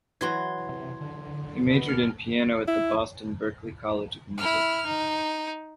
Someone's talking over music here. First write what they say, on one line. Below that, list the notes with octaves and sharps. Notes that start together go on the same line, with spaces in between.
He majored in piano at the Boston Berklee College of Music.
E3 F#3 E4 F#4 B4 C5 C6 G#6
C3
D3
F#4 B4 D#5
A#3 F6
E4
E4 F6
D#4